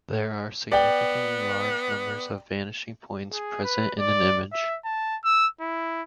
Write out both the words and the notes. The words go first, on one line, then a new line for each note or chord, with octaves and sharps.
There are significantly large numbers of vanishing points present in an image.
B3 D5 G5
G#4
B4
D5
E5
A5
E6
E4